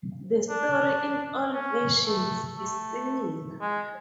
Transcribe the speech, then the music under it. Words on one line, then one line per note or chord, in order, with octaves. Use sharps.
The story in all versions is similar.
D4
C#4
A3
A3
G#3